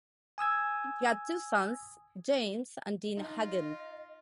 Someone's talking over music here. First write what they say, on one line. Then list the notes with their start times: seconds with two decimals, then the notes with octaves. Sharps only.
They had two sons, James and Deane Hagen.
0.38 G#5 D#6 E6 G#6
3.17 D#4 F4 D#5